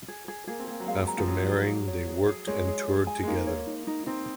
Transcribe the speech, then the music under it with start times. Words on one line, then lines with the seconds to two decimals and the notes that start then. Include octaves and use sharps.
After marrying, they worked and toured together.
0.08 G#4
0.28 G#4
0.47 A#3 G#4
0.59 C4
0.68 A#3 G#4
0.80 F#3
0.87 G#3 F5
1.07 A#5
1.18 F3
1.28 F#3 G#4
1.48 G#4
1.67 G#4
1.88 C#5
2.08 G#4
2.28 G#4
2.47 G#3 C#5
2.67 G#4
2.88 G#4
3.07 G#5
3.23 G#3
3.27 A#3 D#4
3.47 C#5
3.67 D#4
3.87 D#4
4.07 C4 D#4